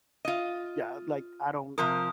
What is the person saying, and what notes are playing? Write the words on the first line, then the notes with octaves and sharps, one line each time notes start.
yeah, like, I don't
F4 D#5
C3 F3 A#4 D#6